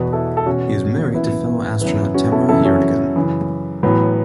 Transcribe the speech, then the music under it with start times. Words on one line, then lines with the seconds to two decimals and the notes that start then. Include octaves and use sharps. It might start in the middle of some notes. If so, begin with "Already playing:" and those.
He is married to fellow astronaut Tamara Jernigan.
Already playing: E2 B2 F#4 B4
0.13 E4 A4
0.37 A4
0.46 E2 B2 C#4 F#4
1.14 F#2 E3 B3 E4
1.81 F#2 C#3 E3 B3 E4
2.14 C#4 F#4
2.32 E4 A4
2.48 F#2 C#3 E3 E4 A4
2.65 C#4 F#4
3.16 F#2 C#3 E3
3.83 A2 E3 F#3 B3